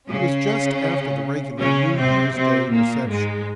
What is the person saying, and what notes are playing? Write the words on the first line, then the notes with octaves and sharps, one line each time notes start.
It was just after the regular New Year's Day reception.
C#3 C#4
C#3 C#4
C3 C4
C3 C4
A#2 A#3
G#2 G#3